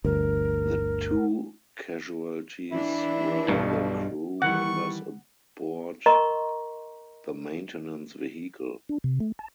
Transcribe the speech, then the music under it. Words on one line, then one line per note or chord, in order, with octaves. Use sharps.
The two casualties were the crew members aboard the maintenance vehicle.
G1 D2 G2 A#4
E3 D4 E4
B1 G2 B2
D#3 E3 G3 F#5 C#6
A#4 D#5 A#5 C6 C#6
D4
C3
A3
A5